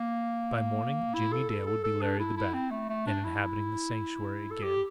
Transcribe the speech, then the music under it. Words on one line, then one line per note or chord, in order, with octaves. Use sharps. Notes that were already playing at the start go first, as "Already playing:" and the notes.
By morning, Jimmie Dale would be Larry the Bat, and inhabiting the Sanctuary again.
Already playing: A#3
E4
A4
A4
A4
A4
D4
E4
E4
C4
A3
A3
D4
E4
A4
G4